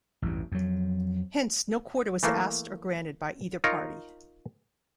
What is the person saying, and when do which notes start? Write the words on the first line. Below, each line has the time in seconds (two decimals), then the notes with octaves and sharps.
Hence no quarter was asked or granted by either party.
0.22 A1 E2 G2
0.52 F2 F#3
2.23 E3 A3 A#3
3.64 D#4 F4 A#4 C#5